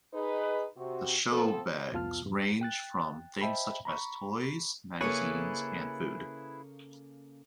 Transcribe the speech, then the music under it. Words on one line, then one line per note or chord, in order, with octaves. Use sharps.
The showbags range from things such as toys, magazines, and food.
D#4 G#4 B4
C3 F#4
F3 B3 C4 A4
C2 F2 B3 F4 A5 F6
E2 G2
G5 F#6 A6
C5 D#5 E5 G5 A5 B5
A#5 B5 C#6
C#3 A#3 E4 G#4 A4 B4 C#5